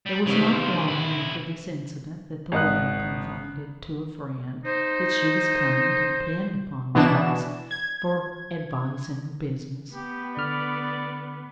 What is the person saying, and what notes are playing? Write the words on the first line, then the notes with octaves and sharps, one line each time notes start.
It was not long after this incident that the widow confided to a friend that she was coming to depend upon Morris for advice in her business.
G3
G2 C3 D#3 E3
A#3 C5
B1 D#3 E4
G#1 D#5 F#6
D#4 C5
B2 E3 D4 E7
G#6
B3 G4
D3 D5 F6